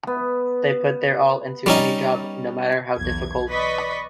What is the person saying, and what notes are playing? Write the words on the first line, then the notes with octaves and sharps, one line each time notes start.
They put their all into any job, no matter how difficult.
B3
G3 C#4 D#4
B1 E2 G#6
B4 D5 D#5 B5 C#6 B6